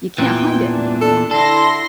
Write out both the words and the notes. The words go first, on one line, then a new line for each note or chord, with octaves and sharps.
You can't hide it anymore.
E2 A#2 E3 G5
D4
A4
D3 E4 A4 C6 A#6